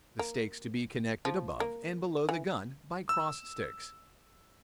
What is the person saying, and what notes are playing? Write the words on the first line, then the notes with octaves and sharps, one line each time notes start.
The stakes to be connected above and below the gun, by cross sticks.
A#3
F3
A#3
E3
E6